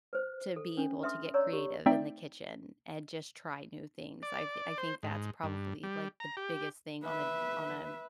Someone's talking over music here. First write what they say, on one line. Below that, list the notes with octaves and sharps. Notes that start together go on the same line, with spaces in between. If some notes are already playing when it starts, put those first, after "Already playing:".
to be able to get creative in the kitchen and just try new things, I've I think that's probably, like, the biggest thing on a on a
B4 C5
A4
C#4 D4
B4 E5 C6 D#6
C#5 D5 A#5 C#6 E6
G4
A3 C4 D#4 D5 E5 G5
D5
C5
G#2
G2
G3
A#5
G4
B4 E5